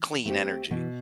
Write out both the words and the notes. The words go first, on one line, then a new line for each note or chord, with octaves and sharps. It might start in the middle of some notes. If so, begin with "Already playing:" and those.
clean energy,
Already playing: E3
A3 C4 G4
B2 E3